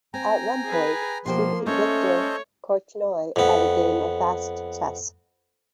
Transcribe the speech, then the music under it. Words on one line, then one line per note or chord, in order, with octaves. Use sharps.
At one point she beat Viktor Korchnoi at a game of fast chess.
C4 G5 G#5 A#5
G#4 B4
B2 F3 A#3 G4 C5 C6
A3 C#4 A4 C5 C#5 D#5
F2 B3